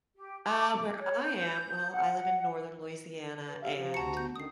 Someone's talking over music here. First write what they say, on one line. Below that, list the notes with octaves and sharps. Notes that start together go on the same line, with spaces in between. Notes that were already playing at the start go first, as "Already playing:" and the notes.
Uh, where I am, well, I live in Northern Louisiana, and
G4
D6
C#5
G6
F#5
B4
G4 E5 F5
F3
D2 F#4 A5 A#5 C#7
B3 G6
D3 D#3 C#4 D#6 C7